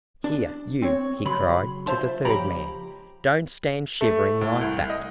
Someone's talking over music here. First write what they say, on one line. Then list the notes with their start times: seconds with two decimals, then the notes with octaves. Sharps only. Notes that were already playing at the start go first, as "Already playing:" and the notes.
Here, you," he cried to the third man, "don't stand shivering like that.
0.24 D4
0.82 C4 C#5
1.25 C#3 F#3 B5 C6
1.86 F4 C5 E5 A5 C6
2.25 C#2 F3 G4 G5 A#5 B5
4.01 A3
4.41 A2
4.61 C2
4.90 D#5